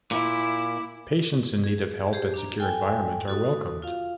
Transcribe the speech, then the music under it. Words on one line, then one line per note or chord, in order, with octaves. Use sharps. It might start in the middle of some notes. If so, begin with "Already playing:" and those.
Patients in need of help and secure environment are welcomed.
A#2 E4 D6
G#4
G4 G#4 C5
D4 A#5
A4 G5 G#5
F#4 A4 D#6
F4 F5